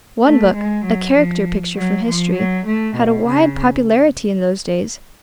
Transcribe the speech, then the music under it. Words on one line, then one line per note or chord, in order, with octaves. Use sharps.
One book, a character-picture from history, had a wide popularity in those days.
A3
G#3
F#3
F3
F#3
F3
F#3
A3
B2
C#3